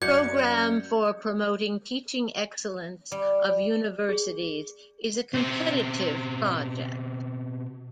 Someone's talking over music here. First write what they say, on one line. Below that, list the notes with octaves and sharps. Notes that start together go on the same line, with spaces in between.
Program for Promoting Teaching Excellence of Universities is a competitive project.
F#2 C#4 F#4 D5 G6 G#6 C#7
G3
G#4
B2 C4 C5